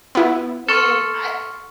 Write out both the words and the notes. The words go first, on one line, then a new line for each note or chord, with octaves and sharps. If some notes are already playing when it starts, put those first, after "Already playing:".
and I
B3 E4
A4 C6 C#6 F6